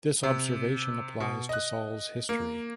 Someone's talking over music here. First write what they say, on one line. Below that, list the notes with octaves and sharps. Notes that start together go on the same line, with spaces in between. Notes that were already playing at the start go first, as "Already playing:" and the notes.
This observation applies to Saul's history.
C3
B2
D#5 F#6
A#3